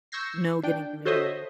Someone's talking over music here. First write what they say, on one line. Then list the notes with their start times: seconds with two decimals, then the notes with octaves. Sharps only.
no getting through to him,
0.12 C#6 E6 G6 G#6 A#6 C7
0.63 D4 G5
1.05 F#4 A4 C5 C#5 D#5 E5